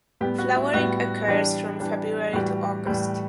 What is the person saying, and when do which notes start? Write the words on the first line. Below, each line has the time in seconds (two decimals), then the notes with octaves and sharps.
Flowering occurs from February to August.
0.21 A2 G3 B3 G4
0.38 F#4
0.56 E4
0.73 A2 G3 B3 F#4
1.27 E3 G3 D4
1.80 E3 G3 D4
2.33 A2 E3 G3 F#4
2.87 A2 E3 G3